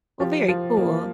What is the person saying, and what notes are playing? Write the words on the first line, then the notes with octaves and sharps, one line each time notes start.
Well, very cool,
F3 G4
F3
A#3